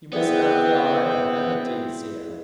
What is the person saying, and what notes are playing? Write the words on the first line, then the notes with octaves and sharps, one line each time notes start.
"You've missed out the R.A., and the D.C.L."
B3 C4 E4 G#4 D5